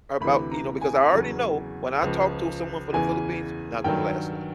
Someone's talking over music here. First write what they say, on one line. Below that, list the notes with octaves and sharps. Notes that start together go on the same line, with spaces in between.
or about, you know, because I already know when I talk to someone from The Philippines, not gonna last long.
D2 C3 E3 B5
A#5
G#5
E2 C#3 F#3
C#2 C#3 F3
E2 C#3 E3 G#5
G2 D#3 F#3 G5